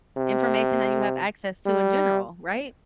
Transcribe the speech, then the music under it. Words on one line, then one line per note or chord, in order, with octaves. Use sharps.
information that you have access to in general, right?
C3
G3